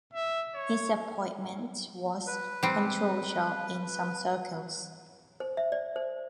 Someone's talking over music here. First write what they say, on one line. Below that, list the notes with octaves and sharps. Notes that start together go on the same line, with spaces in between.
His appointment was controversial in some circles.
E5
C#5
B4
G3 C4
C5
E5
D5
C5